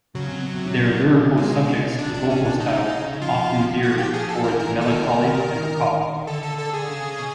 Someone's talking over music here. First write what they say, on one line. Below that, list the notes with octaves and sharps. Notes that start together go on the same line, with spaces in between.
Their lyrical subjects and vocal style often veered towards the melancholy and macabre.
C#3 F#3
C3
B2
C3
B2
G#3
C3 D4
D4
C#4
D4
C#3 D#4
F3 F4
F#4
G4
G#4
A4
E3 A#4
A#4
D#3
A4
A#4
D3 A4
A4
A4
G#4
C#3
B2